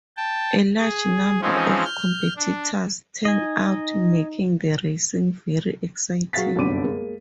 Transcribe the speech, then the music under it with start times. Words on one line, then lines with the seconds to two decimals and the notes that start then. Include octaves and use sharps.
A large number of competitors turned out, making the racing very exciting.
0.17 G5 A5
0.78 G#4
1.41 E3 F3 G#3 C4 C#4 D#4
1.85 F6 G6
2.36 D4
3.25 D#4 D#5 G#5
6.33 F#3 F#4 G#4 F5 A6 B6
6.56 G1 C2 F#2 D3 D6 D#7
6.84 G#3 A#3